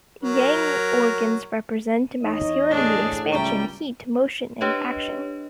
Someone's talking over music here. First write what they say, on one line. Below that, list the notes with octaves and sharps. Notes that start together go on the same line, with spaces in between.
Yang organs represent : masculinity, expansion, heat, motion, and action.
F#3 A#4
E2 D#4 C#5 D#5
A2 D4 G#4
C#2 C#3 G3 C#4 E5 G5 A#5
D4 G4 B4 C#5 D#5